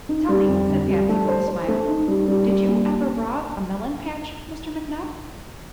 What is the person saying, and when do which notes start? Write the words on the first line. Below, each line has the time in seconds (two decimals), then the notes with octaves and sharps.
"Tell me," said Patsy, with a smile, "did you ever rob a melon-patch, Mr. McNutt?"
0.09 D#4
0.29 G3
0.48 F2
0.69 D3
0.88 G3
1.09 A3
1.29 C5
1.48 C5
1.68 A3
1.88 D#4
2.08 G3
2.28 G3
2.48 G3
2.68 A#2